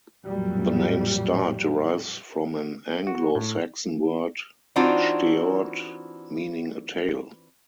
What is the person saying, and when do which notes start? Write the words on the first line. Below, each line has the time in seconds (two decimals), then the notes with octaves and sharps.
The name "Start" derives from an Anglo-Saxon word "steort", meaning a tail.
0.25 A1 F2 A#2 F#3 G3
3.07 F#4
3.35 A2
4.76 E3 C4 D4 D#4 F4 F#4